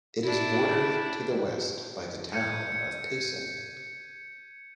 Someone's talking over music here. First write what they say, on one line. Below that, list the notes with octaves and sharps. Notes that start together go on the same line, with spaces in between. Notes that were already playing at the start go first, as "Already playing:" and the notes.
It is bordered to the west by the town of Payson.
D4 E4
G6 G#6 C#7 D#7